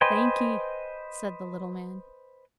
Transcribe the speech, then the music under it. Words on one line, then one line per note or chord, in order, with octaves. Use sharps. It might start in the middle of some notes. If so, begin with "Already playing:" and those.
"Thankee," said the little man.
B4 C5 D#5 G5 G#5